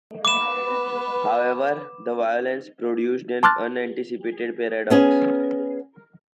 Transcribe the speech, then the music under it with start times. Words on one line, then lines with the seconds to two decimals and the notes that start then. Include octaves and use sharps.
However, the violence produced an unanticipated paradox.
0.25 B3 B4 D6 E7
3.43 A5 C6 D6 F6 F#6 A6
4.90 B3 C#4 G#4